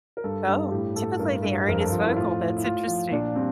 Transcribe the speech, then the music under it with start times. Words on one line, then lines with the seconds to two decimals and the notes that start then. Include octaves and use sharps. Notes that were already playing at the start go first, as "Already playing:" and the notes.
Oh, typically, they aren't as vocal, that's interesting.
0.17 A#4
0.24 G2 A4
0.47 G2
0.71 A2 G4
0.96 A2 A4
1.19 G2 A#4
1.43 G2
1.68 F2 A#4
1.80 A4
1.92 F2 F4
2.03 E4
2.16 A2 F4
2.40 A2
2.56 E4
2.64 A2 F4
2.88 F3
3.11 A#2 D4
3.35 G3 C4